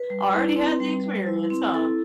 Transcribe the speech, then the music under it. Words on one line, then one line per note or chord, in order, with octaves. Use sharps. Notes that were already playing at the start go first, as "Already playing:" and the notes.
Already had the experience, huh?
Already playing: B4
G3
E4
C4
G3
G3
E4
C4
E4 A4